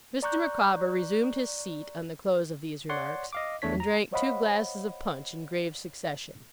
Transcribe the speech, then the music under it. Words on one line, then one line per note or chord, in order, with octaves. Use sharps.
Mr. Micawber resumed his seat on the close of these remarks, and drank two glasses of punch in grave succession.
D5 A#5 C#6 F#6 G6
C#5 D5 F#5 C6
D#5 F5 D6
E2 A3 D4 C#5 B6
A#5
C5 C#5 D#5 F5 F#5 B5